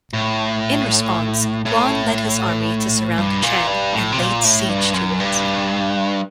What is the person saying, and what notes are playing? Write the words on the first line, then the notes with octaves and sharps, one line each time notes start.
In response, Guan led his army to surround Duchang and laid siege to it.
A2
A2
G2
A#2
G2
A2
C3
A#2
A2
G2
F#2
G2